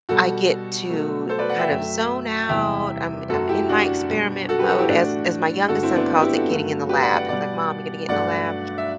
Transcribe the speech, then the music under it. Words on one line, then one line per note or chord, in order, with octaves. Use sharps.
I get to kind of zone out. I'm I'm in my experiment mode as as my youngest son calls it getting in the lab. He's, like, "Mom, you gonna get in the lab."
B2 G3 F#4 A4
B2 F#3 A3
A4 C5
B4 D5
D5 F#5
E5 G5
F#2 F#3 A3
E2 C3 E3 G3 E5 G5
F#2 F#3 A3 F#4 A4
E4 G4
D4 F#4
B2 G3
F#4 A4
G4 B4
F#4 A4
E4 G4
A2 E3 A3 D4 F#4
G2 D3 A3 F#4 A4
C4 E4
B3 D4
E4 G4
F#4 A4
G2 D3 F#3 A3
G4 B4
D5 F#5
D5 F#5
B2 G3 D5 F#5
G2 F#3 A3 D5 F#5
E5